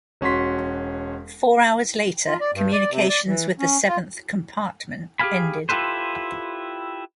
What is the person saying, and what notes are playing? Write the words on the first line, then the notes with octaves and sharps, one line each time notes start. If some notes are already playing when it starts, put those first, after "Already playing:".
Four hours later, communications with the seventh compartment ended.
E1 C#4 F#4 C6 B6
F4
D5
G2
D5
C3
D5
E3
C#4
F4
G4 G#4 A#4 F5 G#5 B5
E4 F4 G4 A4 B4 C5